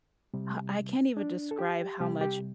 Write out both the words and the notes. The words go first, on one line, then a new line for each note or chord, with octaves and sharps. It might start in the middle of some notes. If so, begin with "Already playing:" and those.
I I can't even describe how much
C3 G3
D4
A4
G4
C3 G3 G4
G4